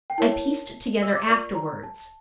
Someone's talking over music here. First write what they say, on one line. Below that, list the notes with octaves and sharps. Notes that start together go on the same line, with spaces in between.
I pieced it together afterwards.
G5
E4 A#4 C#5 A5
E6
D6
F4 A#4 D5 C#6
A#5
A5